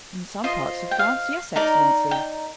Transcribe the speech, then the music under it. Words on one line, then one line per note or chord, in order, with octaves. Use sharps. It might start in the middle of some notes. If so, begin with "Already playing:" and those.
"In some parts of France--yes, excellency."
F4 C5 D#5
G5
F5
D#4 A#4 D5
G5